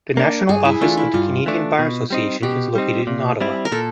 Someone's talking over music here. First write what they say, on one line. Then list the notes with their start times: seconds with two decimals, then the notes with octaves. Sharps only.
The national office of the Canadian Bar Association is located in Ottawa.
0.17 A#3 D4
0.49 G2 G#4
0.65 E4
0.81 E3 A3 D4 F4
0.97 E4
1.14 G2 F4
1.46 E3 A3 D4
1.79 B2
2.10 G3 C4 D#4
2.42 B2 G4
2.75 G3 C4 D#4
3.07 A#2
3.41 G3 C4 E4
3.65 A#4
3.72 A#2 A4